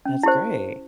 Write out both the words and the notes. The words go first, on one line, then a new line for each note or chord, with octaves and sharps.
That's great.
C#4
E4 G4 C5